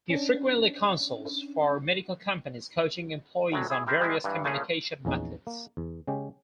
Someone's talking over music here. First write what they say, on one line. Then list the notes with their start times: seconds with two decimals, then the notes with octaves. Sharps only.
He frequently consults for medical companies, coaching employees on various communication methods.
0.10 C#4 D4
3.52 D2 A2 F#3
3.70 E4 G#4
3.87 E4 G4 A#4 C5
3.99 G3 G#3 E4
4.24 G2 E3
4.44 A#2 C#3 A3 C#4 G#4
5.05 A#1 E2 C#4 D#4
5.47 A#3
5.77 E2
6.08 C#3 G#3 C#4 G4